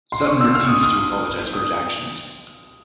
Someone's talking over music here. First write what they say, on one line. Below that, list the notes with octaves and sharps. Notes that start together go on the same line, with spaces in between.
Sutton refused to apologise for his actions.
C6
C#6
E6
F6
D#6
F6
D#6